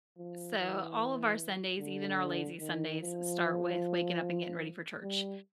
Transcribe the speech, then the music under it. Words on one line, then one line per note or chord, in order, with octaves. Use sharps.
So, all of our Sundays, even our lazy Sundays, start with waking up and getting ready for church.
F3
E3
D3
D#3
F3
G3